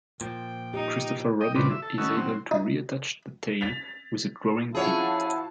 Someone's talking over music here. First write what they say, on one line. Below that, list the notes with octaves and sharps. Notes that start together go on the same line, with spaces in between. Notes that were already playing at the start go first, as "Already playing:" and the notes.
Christopher Robin is able to reattach the tail with a drawing pin.
A#2 F3 G5
D#4 G4
D#5 G5
A#2 C#3 C4 B4 D5
E5
A4
D#3 A3 C#4 E4 F#4
F#3 C4
D#4
A6 B6 F7
F3 E4 F#4 G#4 C#5 F5 A5